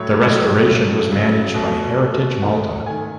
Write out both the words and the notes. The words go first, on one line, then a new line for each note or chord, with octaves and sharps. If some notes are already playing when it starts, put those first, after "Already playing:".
The restoration was managed by Heritage Malta.
Already playing: A2 F#3 A3 C#5
A2 F#3 A3
C#3 F#3 A3
C#3 F#3 A3
B2 A3
B2 A3
D#3 A3 F#5
D#3 A3 G#5